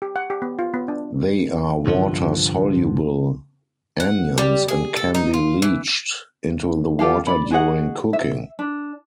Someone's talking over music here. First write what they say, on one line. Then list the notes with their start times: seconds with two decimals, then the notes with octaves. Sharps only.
They are water-soluble anions and can be leached into the water during cooking.
0.02 G4
0.16 F#5
0.30 G4
0.42 B3
0.59 F4
0.74 B3
0.88 D4
1.86 C2 G2 D3 F3
4.00 F#5
4.38 G3
4.68 G#4
4.97 A4
5.15 D#4
5.34 F4
5.62 E3
6.99 F4 G4 A4 F5
7.27 D5 B5
7.51 F#4 G#4 D#5 F#5
8.13 E5
8.59 D4